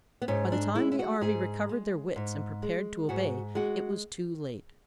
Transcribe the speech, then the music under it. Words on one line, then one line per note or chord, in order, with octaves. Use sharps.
By the time the army recovered their wits and prepared to obey, it was too late.
B3
G#2 C#4
D4
G#3 E4
E4
F#4
G#2 G#4
G#3
G#2
G#3
G#2 F#4
G#3 F#4